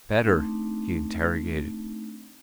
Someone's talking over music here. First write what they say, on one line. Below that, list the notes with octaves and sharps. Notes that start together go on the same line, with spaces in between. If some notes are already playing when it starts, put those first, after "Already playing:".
"Better?" he interrogated.
A3 C4 D4 D#4